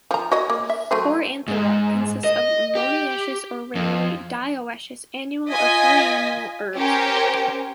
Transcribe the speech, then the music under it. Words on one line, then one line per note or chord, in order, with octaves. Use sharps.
"Poranthera" consists of monoecious or rarely, dioecious annual or perennial herbs.
F3 A#5
F#4 C#5 D#5
A#3
E5
F#3 A3 C5
G#2
D#5
G4
F2
F4 D#5 G#5 B6
C#4 G4 A#4 C5